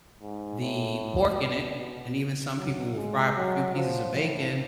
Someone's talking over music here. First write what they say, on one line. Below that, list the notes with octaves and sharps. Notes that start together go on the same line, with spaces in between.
the pork in it, and even some people will fry up a few pieces of bacon,
G#2
A2
B2
B2
F#3
G#3
F#3
F3
A2